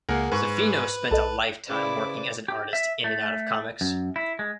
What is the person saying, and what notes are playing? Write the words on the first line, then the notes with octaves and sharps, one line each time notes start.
Zaffino spent a lifetime working as an artist in and out of comics.
C#2 A#3 G#4 A#4 F#5
G#2 B4 C#6
B1 A4 D#5 A5
C#3 E4 B4 C5 D5 D6
G4
E5
A3
F#2
E4
G#3